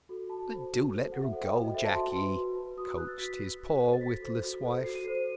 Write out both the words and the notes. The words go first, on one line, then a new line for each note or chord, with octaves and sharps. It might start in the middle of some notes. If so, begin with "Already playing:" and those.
"But do let her go, Jacky," coaxed his poor witless wife.
F#4 A4
F#4 A5
A4 C5
F#4
A4 C5
F#4 F#5
E5
A4 C5 F#5
G5
F#4
D#5
A4 C5 E5
A5
F#4 C6
B4
F#4
B4
F#4 D#6
E6
B4 F#6
A6
F#4 B6
B4
F#4
A4 C5
A6
F#4 B6
A4 C5
F#4
A4 C5
F#4 C7
D#7
A4 C5 C7
D#7